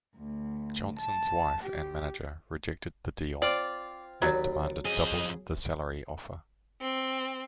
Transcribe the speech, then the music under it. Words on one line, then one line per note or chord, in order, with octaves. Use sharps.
Johnson's wife and manager rejected the deal, and demanded double the salary offer.
D2
A5
G4
C4 F4 D5 F5
D#2 F#3 D5 B5
F2 G#4 D#5
C4